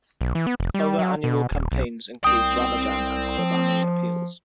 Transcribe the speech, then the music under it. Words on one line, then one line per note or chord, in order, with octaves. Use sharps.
Other annual campaigns include Ramadan and Qurbani appeals.
B1
E3
B3
F1
G3
F#3
B2
D#1
B1
C2 C4 G5 D#6
F3